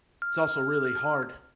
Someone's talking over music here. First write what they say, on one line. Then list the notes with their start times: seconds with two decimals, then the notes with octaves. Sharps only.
It's also really hard.
0.22 F6